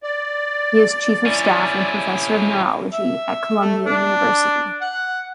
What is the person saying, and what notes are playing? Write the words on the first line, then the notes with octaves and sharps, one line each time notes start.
He is Chief of Staff and Professor of Neurology at Columbia University.
D5
C#4 E4
E5
A3
D4
F#5